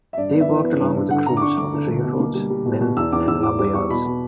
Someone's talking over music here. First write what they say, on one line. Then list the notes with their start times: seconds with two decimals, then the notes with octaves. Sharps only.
They worked along with the crews on the railroads, mills, and lumber yards.
0.13 E5
0.17 G2 D5
0.33 B3
0.41 E5
0.49 E3
0.64 B3
0.80 G2
0.95 G2
1.11 D3 F#5
1.26 D3 A#5
1.37 D6
1.41 D4 C#6
1.57 D2 D6
1.73 D3
1.88 D2
2.04 B2
2.20 A#3
2.35 G3
2.50 G3
2.66 B2
2.81 B2
2.97 E2 E6
3.12 E2 D6
3.28 E2 E6
3.43 E2 D6
3.59 G3 D6
3.74 E2 C#6
3.90 B2 B5
4.06 B2